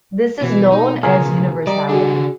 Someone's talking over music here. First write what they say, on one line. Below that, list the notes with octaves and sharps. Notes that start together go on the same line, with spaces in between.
This is known as universality.
B2 E3
D#4
D2 C#3 F4 G#4 A#4
G3 D5 D#5 A#5
C#3 D4 F#4 G#4